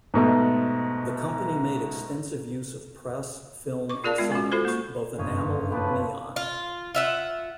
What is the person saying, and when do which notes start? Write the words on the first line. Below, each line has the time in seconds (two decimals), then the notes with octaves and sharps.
The company made extensive use of press, film and signs, both enamel and neon.
0.14 G#2 B2 A3
3.90 C#6 D6
4.04 F4 G#4 A#4 D5 F5 A5
4.18 G#3 B3 F4
4.32 C#4 F#4
4.52 F4 F#4 A4 C5
4.65 A#3 C#6
5.18 F#1 G2 F4 C#5 D#5
5.72 A2 F3 G4 A4 B4 A5
6.36 F4
6.95 F4 E5 F#5